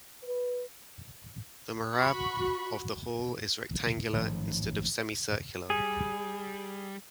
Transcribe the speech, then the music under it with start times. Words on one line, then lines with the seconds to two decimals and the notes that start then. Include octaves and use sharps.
The mehrab of the hall is rectangular instead of semi-circular.
0.23 B4
1.96 F#4 B5 C#6
4.13 A1 G#2 D#3 F3
5.70 G3 G#4